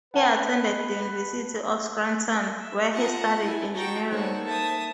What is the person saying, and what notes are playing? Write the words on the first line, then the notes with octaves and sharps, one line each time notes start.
He attended the University of Scranton, where he studied engineering.
B4 F#5 A5
E5
F4 F#5 A5 A#5 D#6
E4 A4 G#5
D#4 F#4 C#5 G5 A5 A6
A#3 D#4 F#4 A4 C5 C#5
E5 A5 D#6 F#6 G#6